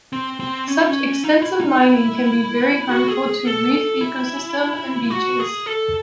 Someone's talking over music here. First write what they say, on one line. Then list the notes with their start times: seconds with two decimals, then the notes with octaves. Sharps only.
Such extensive mining can be very harmful to reef ecosystems and beaches.
0.13 C4
0.40 C4
0.68 C#4
0.78 D#4
0.87 C#4
1.24 D#4
1.42 E4
1.61 D#4
1.78 E4
2.89 F#4
3.08 G#4
3.26 G#4
3.45 A4
3.72 A4
4.01 E4
5.10 F#4
5.39 G#4
5.66 A4